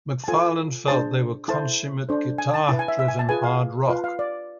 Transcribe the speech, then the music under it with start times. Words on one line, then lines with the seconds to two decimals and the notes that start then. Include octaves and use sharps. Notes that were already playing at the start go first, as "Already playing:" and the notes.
McFarlane felt they were "consummate, guitar-driven, hard rock".
0.24 A5
0.28 F4 A4 C5 G#5
0.88 D4 G#4 C5 A5
1.48 E4 A4 C5 A5
2.09 D4 A4 C5
2.38 G#5
2.54 A5
2.68 E4 B4 A5
2.79 G#5
2.88 E5
2.99 E5
3.08 G#5
3.19 A5
3.29 F4 G#4 B4 G#5
3.43 F5
3.89 F4 B4 F5
4.04 F5
4.19 D5